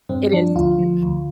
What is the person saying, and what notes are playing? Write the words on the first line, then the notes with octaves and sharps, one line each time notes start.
It is.
G2 C4
F3 D4
D2 F4
F3
D2